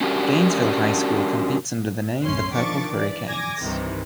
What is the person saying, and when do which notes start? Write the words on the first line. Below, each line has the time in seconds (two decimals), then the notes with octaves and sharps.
Gainesville High School competes under the name The Purple Hurricanes.
0.01 C#4 D4 F#4 G4 A#4
2.23 B1 F#2 A2 C#4 C6 C7
2.53 D#3 F3 D4 C#6 D6 A6
2.93 E3 D5
3.28 G#5 D6 G#6 A#6
3.60 C2 G2 C3 D#3 E3